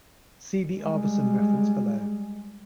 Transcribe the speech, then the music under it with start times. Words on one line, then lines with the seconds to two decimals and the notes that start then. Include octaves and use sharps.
See the Arveson reference below.
0.79 G3 G#3